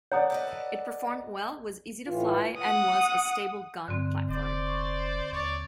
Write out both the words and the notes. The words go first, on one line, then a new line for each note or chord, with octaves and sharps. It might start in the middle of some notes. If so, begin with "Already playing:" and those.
It performed well, was easy to fly and was a stable gun platform.
C#5 D5 F#5 A#5 D#6
A4 B4 D#5
A2 E3 F4
F#5 D#6
G2 D3 C4
F1 C5 D5
C#6
D#2 C#5 D5